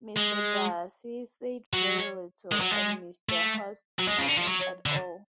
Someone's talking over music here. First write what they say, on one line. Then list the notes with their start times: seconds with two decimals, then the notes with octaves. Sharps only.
Mr. Darcy said very little, and Mr. Hurst nothing at all.
0.17 G#3
1.74 F#3
2.52 G#3
2.60 F#3
2.71 G#3
3.29 A3
3.99 F#3
4.08 G#3
4.18 C#3
4.28 D3
4.37 F3
4.46 F#3
4.86 D3